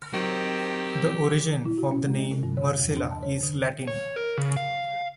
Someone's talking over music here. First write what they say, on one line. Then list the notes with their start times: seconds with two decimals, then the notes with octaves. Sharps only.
The origin of the name Marcella is Latin.
0.14 D#3 F#3 C4 G4
1.65 E4
1.78 F#4
1.91 C#4
2.07 G#3
2.31 C3
2.43 G2
2.57 C#5
2.80 E2
2.97 D4
3.11 A5
3.23 C#5
3.43 D3
3.87 C#5
4.16 A#4
4.38 C#3
4.57 F5